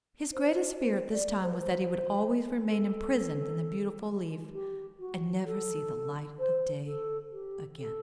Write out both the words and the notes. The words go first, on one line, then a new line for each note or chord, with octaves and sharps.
His greatest fear at this time was that he would always remain imprisoned in the beautiful leaf and never see the light of day again.
C5
C5
D5
C5
B4
C5
A4
G4
F#4
A4
C5
A4
G4
A4